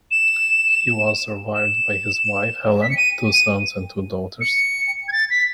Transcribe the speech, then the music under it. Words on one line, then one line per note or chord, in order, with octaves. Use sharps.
He was survived by his wife Helen, two sons and two daughters.
E7
E7
B6
C#7
D#7
D#7
C#7
G#6
A6
B6